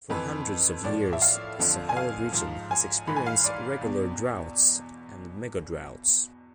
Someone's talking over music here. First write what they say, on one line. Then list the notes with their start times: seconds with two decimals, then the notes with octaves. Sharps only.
For hundreds of years, the Sahel region has experienced regular droughts and megadroughts.
0.10 F2 E3 B4
0.84 A2 F3 D5
1.13 E5
1.22 F5
1.59 F2 D3 F3
1.89 G#5
1.97 F5
2.32 G#2 F3
2.71 G#5
3.07 G#2 E3 B5
3.16 G#5
3.26 F5
3.44 D5
3.81 E2 B2